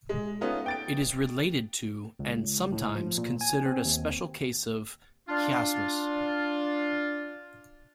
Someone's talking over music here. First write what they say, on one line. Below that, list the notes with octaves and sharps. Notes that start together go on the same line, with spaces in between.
It is related to, and sometimes considered a special case of, chiasmus.
G#3
A3 B3 C#4 D#4 F4
G5 A6 D7
C#2
A2
F3
A#2
G#5
C4
D#2
D4 F4